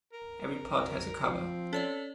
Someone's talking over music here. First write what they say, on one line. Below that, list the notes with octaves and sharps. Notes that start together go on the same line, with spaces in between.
Every pot has a cover.
A#4
F3 C4
C#4 A4 C#5 D5